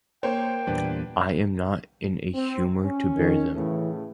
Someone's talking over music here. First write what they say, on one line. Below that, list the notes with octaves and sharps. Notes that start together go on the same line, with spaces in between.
I am not in a humour to bear them.
A#3 C5 C#5 G5
E2 A#2 G3 D4 B4
C4
C#4
D#3
A2 C#3 E3 A3